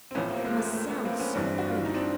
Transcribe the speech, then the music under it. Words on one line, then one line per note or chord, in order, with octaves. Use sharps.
"It must sound so pretty!"
C4
A1 A2 F3 B3 C#4
A#3 C4
G#3 A#3
A3
A3
A3 B3
A#3 C4
B3 C#4
G1 G2 E3 C4 D4
F#4
F4
E4
D#4
C4 D4